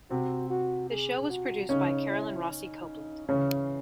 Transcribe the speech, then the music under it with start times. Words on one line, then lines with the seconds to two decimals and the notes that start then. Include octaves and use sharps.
The show was produced by Carolyn Rossi Copeland.
0.10 C3 C4 F#4
0.50 F#4
0.90 G#4
1.30 F#4
1.69 C#3 C#4 D#4
2.09 E4
2.49 D#4
3.28 C#3 E3 C#4